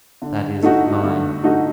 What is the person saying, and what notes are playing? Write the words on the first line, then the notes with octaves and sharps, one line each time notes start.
That is, mine.
D3
A3 D#4 F#4
D3
A3 D#4 F#4